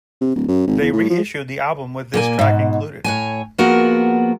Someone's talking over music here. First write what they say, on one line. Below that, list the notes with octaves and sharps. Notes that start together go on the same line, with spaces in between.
They re-issued the album with this track included.
C3
D1
F#2
G#1
E2
A2
F3
A#2 A#3 G#5
G#2 B2
A2 C#5 G#5
F3 A#3 B3 F#4 G#4 A#4